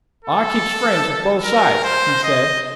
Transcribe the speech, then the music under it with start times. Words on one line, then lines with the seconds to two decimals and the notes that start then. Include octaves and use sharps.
"I keeps friends with both sides," he said.
0.25 A4
1.44 A#4
1.84 C5
2.24 D#5